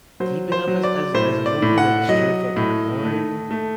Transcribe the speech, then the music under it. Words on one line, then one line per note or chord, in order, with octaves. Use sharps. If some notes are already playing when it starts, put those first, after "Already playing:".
deep enough as as as a movie. Like, the story felt kinda boring
F#3 C5
C5
F#3
D5
A2 C5
D5
A2
F#5
F#3 D#5
A2
A3
A3